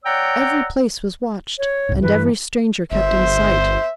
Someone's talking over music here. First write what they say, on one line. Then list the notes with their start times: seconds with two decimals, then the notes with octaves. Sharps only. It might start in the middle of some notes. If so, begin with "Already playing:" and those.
Every place was watched, and every stranger kept in sight.
0.05 C#5 D5 F#5 G5 A#5 E6
1.58 C#5
1.89 C2 G#2
2.02 G2 E3 B4
2.92 G1 C5 E5